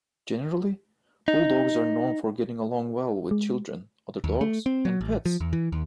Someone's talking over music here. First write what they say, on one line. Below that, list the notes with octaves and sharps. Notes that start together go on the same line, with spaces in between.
Generally, Bulldogs are known for getting along well with children, other dogs, and pets.
D#4
G#3
D#2
A3
C4
F#3
A1
F3
E2
E3
D#2